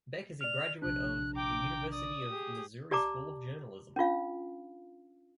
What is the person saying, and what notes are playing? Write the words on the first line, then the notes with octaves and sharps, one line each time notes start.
Beck is a graduate of the University of Missouri School of Journalism.
D5 F6 F7
A#1 C3 D4 F#6
G5 A#5 D6
D5 D#6
G4 G#4
G4 D5 A5 A#5 D6
C#4 D4 F4 F5